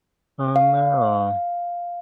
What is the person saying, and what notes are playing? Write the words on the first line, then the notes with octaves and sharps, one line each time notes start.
Oh, no.
F5